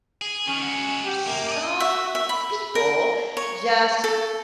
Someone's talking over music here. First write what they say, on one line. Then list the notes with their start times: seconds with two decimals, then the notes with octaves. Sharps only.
some people just
0.22 G#4
0.48 D#3 C#4
0.62 G#3 F#4
1.05 G4
1.27 F#2 A#3
1.49 D5 D#5
1.80 E5
2.15 E5
2.29 B5
2.75 A#4
3.37 C#5
4.04 A4